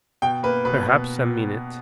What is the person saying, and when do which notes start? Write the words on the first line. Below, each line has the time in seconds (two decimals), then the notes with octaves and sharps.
Perhaps a minute.
0.22 B2 G5
0.43 A#3 B4
0.65 B2 B4
0.87 B2